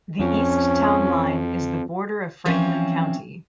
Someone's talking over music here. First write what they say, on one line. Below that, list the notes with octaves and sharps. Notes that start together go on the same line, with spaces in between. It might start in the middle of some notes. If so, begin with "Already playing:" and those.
The east town line is the border of Franklin County.
F2 C#4
E3 F3 C4 C#4 C#5